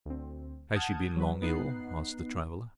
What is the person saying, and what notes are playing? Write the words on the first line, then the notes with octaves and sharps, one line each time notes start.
"Has she been long ill?" asked the traveller.
D2 C4
F#5 A5 D#6 F6 G6 G#6
F#3 B4
B3 D#4 F#6 C7